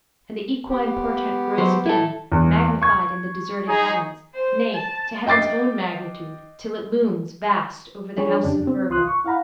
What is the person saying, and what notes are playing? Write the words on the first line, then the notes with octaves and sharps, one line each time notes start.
And the equine portent grows again, magnified in the deserted heavens, nay to heaven's own magnitude, till it looms, vast, over the house of Virgo.
B3 G4
F#3 C5
E4 A4
E2
C#6 G#6
D#4 G#4
C5
A5
D#5 G5 D6 A6 C7
F3 G#3 D4 G#4 C#5
F2 C#3 D4 G4
C4
C2 F4 C6 D#6 F#6
C#6
E4 F5 F#5 A#5 B5